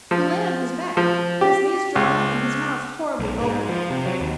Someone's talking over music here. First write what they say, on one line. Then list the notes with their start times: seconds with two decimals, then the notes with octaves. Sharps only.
He lay on his back, his knees drawn up, and his mouth horribly open.
0.11 F3
0.97 F3
1.41 G4
1.95 C#2
3.19 B1
3.40 G#2
3.69 F3
3.90 C3
4.06 F#3
4.21 D#2